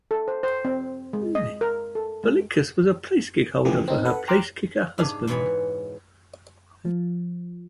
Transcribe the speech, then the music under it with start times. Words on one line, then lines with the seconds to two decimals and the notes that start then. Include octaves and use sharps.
Palinkas was a placekick holder for her placekicker husband.
0.11 A4
0.28 C5
0.43 C5
0.65 C4
1.13 G#3
1.35 D#5
1.61 A#4
1.95 A4
2.24 G#3
3.65 C#3 E3 F3 A3 G4 G#4
3.88 C4 D#4
4.05 A4 B4 F#5
4.28 G5 A#5 C6 D6 F6 F#6
4.98 G#2 C3 D4 F5 G#5
5.27 G#2 B2 E3 G#3 C#5 B5
6.85 F3